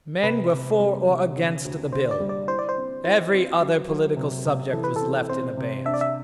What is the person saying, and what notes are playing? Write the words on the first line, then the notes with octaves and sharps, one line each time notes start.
Men were for or against the bill--every other political subject was left in abeyance.
C3 B4
C3
G3
C3
D3
D2
D3 C5
D5
G3
D5
E4 C5
D5
C5
C4
E4 C5
C4
F#3
F#3
C3
C3
E3 A4
B4
C4 A4
C4 C5
C3
D4 E5
D5
E5